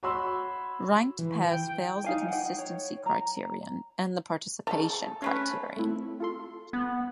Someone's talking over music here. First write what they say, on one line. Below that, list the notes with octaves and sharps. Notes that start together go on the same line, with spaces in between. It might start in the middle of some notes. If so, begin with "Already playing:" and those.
Ranked pairs fails the consistency criterion and the participation criterion.
F#4 C#5 B5 C6 E6
E3
G5
D#4 F5 G#5
F#5 G5
C#5
A#5
C#3 A4 A5 A#5
G#3 A3 C#4 B4
A3 C4 E4
F4 A4 C6
B3